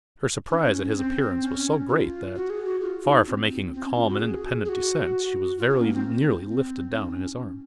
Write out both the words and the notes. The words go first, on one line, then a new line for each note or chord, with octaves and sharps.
Her surprise at his appearance was so great that, far from making a calm and independent descent, she was very nearly lifted down in his arms.
D#4
C#4
C4
C#4
F4
F#4
G#4
F#4
F4
D#4
C4
C4
C#4
F4
F#4
G#4
G#4
F#4
F4
C#4
A#3
C4
C4
D#4
C#4